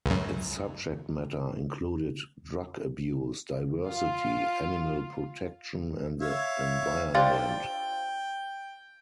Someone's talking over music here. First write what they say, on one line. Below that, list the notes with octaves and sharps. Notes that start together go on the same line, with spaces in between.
Its subject matter included drug abuse, diversity, animal protection, and the environment.
C#2 F#2
F4 F5
C#5 E5 F5
D4 F4 G4 C5 D5 G5 A6